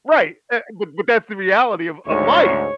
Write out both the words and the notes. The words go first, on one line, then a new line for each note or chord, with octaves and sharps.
Right. Eh, but but that's the reality of of life.
D2 G#2 C#5